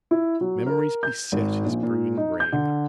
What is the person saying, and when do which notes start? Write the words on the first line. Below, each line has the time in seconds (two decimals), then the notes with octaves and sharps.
Memories beset his brooding brain.
0.11 E4
0.41 F#3
0.67 A#4
1.03 G6
1.32 G#1
1.66 A#1
1.83 A#2
2.17 D#4
2.40 G6
2.52 D3